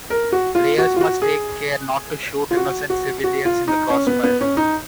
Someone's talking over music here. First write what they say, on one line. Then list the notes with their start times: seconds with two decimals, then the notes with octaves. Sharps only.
Players must take care not to shoot innocent civilians in the crossfire.
0.10 A#4
0.32 F#4
0.55 F4
0.78 F#4
0.96 F4
1.01 F#4
1.22 G#4
2.51 F4
2.56 F#4
2.90 F#4
3.24 F#4
3.45 F4
3.68 D#4
3.90 C#4
4.07 B3
4.23 B3
4.41 C#4
4.57 D#4